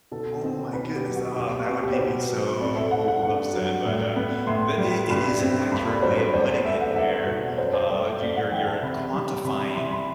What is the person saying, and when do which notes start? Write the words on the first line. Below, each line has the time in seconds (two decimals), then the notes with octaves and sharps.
Oh my goodness, ah, that would make me so upset, but, uh, the it it is an accurate way of putting it where, uh, you you're you're quantifying
0.12 B2 A4
0.42 C4
0.73 B2 B4
0.94 G4
1.05 F#3
1.15 F#4
1.36 B2 G4
1.51 F#4
1.68 C4 F#4
1.82 G4
1.93 C5
1.98 B2 B4
2.30 F#3
2.60 C4 D5
2.76 E5
2.91 A3 F#5
3.08 F#5
3.23 G2
3.53 F#3
3.85 A2
4.16 B3
4.47 A2 C6
4.78 G3
5.10 G2 B5
5.41 C4
5.72 G2 B5
5.88 B5
6.03 F#3 C5
6.18 B4
6.33 E2 C5
6.50 D5
6.65 A3 E5
6.81 F#5
6.96 E2 E5
7.27 B2
7.58 F#2 C5
7.74 C5
7.90 A3 D5
8.05 E5
8.20 F#2 D5
8.36 F#5
8.52 E3 G5
8.67 A5
8.83 C3 B5
9.13 G3
9.44 C3 B5
9.61 B5
9.75 E3 C6
9.91 B5